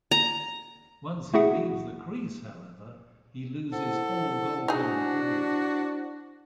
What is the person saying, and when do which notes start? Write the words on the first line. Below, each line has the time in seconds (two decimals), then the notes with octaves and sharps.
Once he leaves the crease, however, he loses all goaltender privileges.
0.11 A#5
1.34 A3 E4 F#4 G#4 E5 F#5
3.72 E4 A4 C5 F#5
4.68 D4 D#4 F#4 G#4